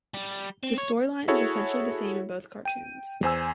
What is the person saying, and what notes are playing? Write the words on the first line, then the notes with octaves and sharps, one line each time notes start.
The storyline is essentially the same in both cartoons.
G3
C4
C#5
E4 F#4 G#4 A4 C#5
G5 D#7
E2 C5 G#5 E6